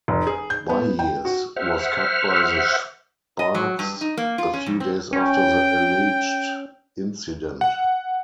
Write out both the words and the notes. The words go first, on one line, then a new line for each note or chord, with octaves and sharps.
Byears was cut by the Sparks a few days after the alleged incident.
F1
G#4
G6
B3
G5
F#4
C5 E5 F#5 F6
D#5
F#3
G2
D#4
A#3
F4
C#4
F2
C4
C#4 G5
F#5